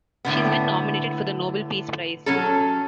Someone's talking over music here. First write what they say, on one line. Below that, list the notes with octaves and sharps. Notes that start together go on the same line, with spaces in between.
She has been nominated for the Nobel Peace Prize.
A2 D3 B3
F#3 C#4 A4